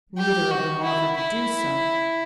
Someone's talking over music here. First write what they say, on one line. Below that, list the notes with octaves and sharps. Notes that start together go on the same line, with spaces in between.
Neither of them offered to do so.
G4
F#4
E4
E4